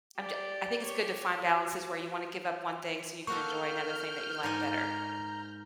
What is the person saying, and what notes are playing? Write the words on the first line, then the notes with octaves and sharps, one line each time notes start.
I'm ju I think it's good to find balances where you wanna give up one thing so you can enjoy another thing that you like better.
G4 D5
G4 C#5
F#4
A#3 F#4 A4 C#6 F6 G6
G#2 D5 G#5 A#5